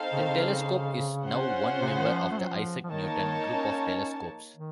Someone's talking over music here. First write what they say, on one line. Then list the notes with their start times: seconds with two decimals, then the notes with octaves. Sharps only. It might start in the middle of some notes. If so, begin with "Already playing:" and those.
The telescope is now one member of the Isaac Newton Group of Telescopes.
Already playing: C4 D#4 A4 C5 F5
0.13 C#3
0.21 D#3
0.29 C#3
1.24 C#4 F4 C5 F#5
1.82 C3
1.90 C#3
1.99 D#3
2.07 F3
2.31 A3
2.40 F#3
2.49 F3
2.84 F3
2.90 D#3 A#3 D#4 A#4 C#5 A5
3.17 D#3
3.46 C#4
4.57 D#3